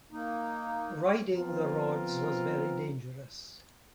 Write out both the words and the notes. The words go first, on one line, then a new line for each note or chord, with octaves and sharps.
Riding the rods was very dangerous.
A#3 D#4
F3 B3 C4 F4 A#4